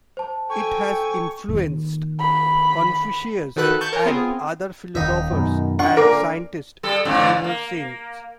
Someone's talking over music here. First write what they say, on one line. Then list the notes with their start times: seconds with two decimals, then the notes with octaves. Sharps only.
It has influenced Confucians and other philosophers and scientists ever since.
0.17 C5 A5
0.50 A4 G5 G#5 C#6
1.48 A#2 D#3
2.19 B5
3.56 D#3 F3 F#4 A4 B4 F#6
3.81 A5 C#6 F#6 G6
3.93 A#4 C#5
4.05 B3 C4 F4 G#4
4.95 D#1 D#2 D#4 E5
5.31 F#2 B2 D#3
5.79 D4 F4 F#5 C#6
5.97 A#2 D3 A#3 A#4
6.83 G3 A4
7.05 F2 G#2 D3
7.44 A#3